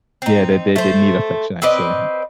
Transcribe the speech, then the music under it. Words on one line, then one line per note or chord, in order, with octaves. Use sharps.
Yeah, they they they need affection, I'd say.
C4 D#4
A3 C5
C4 B4 D5 D#5